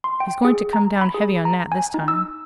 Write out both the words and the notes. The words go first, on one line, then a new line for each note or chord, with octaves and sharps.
He's going to come down heavy on Nat this time.
C6
G5
G#4
A#5
B5
G#4
A#5
G#5
D#4
E6